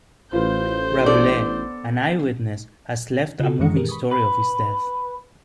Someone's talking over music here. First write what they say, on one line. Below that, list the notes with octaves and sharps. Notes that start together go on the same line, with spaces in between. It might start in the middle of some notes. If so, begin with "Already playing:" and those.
Rabelais, an eye-witness, has left a moving story of his death.
A1 F4 B4 C5 G6
B3 D4 A4 D5
C#3 F4 F#4 A4
F#2 D#3 E3 G#3 C#7
G4 G#4 A#4 B4
B5 C#6 D#6
B4